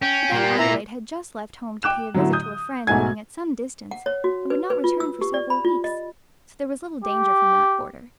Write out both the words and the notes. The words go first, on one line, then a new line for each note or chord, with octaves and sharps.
But then Adelaide had just left home to pay a visit to a friend living at some distance, and would not return for several weeks, so there was little danger from that quarter.
C#4 G5
A#2 G3 A#3
E4 A#5
G5 D6 F#6 E7
A2 D3 F#3
D#6 G6
B1 G#2 A3 F#4 G#5 G#6
F#5
C#5
F#4
B4
B4
F4
E6
G4
D5
B5
F4
D#5
G4